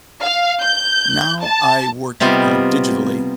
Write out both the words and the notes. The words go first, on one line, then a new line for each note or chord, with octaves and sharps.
now I work, uh, digitally
F5
G6
A5
C3 G3 B3 F4 D#5